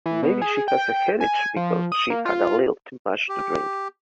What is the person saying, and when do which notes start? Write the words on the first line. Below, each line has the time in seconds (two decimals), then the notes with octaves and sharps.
Maybe she has a headache because she had a little too much to drink.
0.06 E3
0.23 B2
0.42 G#4
0.68 G5
1.21 G#5
1.56 F3
1.92 D#6
2.10 A#3
2.25 F4
3.29 G4